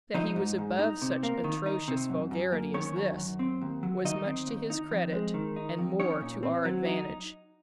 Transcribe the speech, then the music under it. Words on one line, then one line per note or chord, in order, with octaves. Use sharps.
That he was above such atrocious vulgarity as this, was much to his credit and more to our advantage.
F3 D#4 D#5
G#2
G#2
D#4
C3
A#3
D#3
D#4
C3
F#2
F#2
A#3
D#3 C#4 C#5
F#2
F#2
C4
D#2
F#3
D#3 D#4 D#5
C4
D#2
D#4
F2
G#3
D#3
D#4
F2
C#4 D#4 C#5
A#2
C4
F#3
D#4